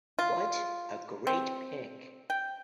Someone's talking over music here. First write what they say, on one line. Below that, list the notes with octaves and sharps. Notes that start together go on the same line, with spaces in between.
What a great pic!
F4
C4
G5